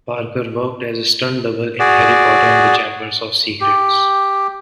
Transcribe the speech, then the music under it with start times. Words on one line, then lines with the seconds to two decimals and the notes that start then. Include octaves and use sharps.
Parker worked as a stunt double in "Harry Potter and the Chamber of Secrets".
1.80 F#4 G#4 D5
3.61 G4